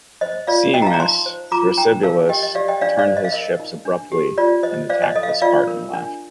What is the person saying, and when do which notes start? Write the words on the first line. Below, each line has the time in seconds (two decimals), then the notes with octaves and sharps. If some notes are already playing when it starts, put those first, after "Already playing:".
Seeing this, Thrasybulus turned his ships abruptly and attacked the Spartan left.
0.21 C5 D#5
0.47 F4 D5 F5
0.74 D#4 D#5 G5
0.82 A#5
0.87 F5 A5
0.94 A#5
1.00 D#4 A5 C6
1.26 C5
1.51 F4 A#5 D6
1.77 D#4 G5 A#5
2.03 A#4 F5 A5
2.29 G4 D#5 G5
2.43 D#5
2.55 G4 D5 F5
2.68 D#5 G5
2.81 D4 D5 F5
2.99 D5 F5
3.07 C5
3.17 D#5
3.25 F5
3.32 A#4 D#5
3.60 D#4
3.85 D4
4.12 G4
4.38 F4 D5
4.63 C5 D#5
4.90 C5 D5 F5
5.02 D#5
5.15 A4 D#5
5.23 F5
5.29 D#5
5.42 F4 D5 F5
5.67 A#4
5.93 D4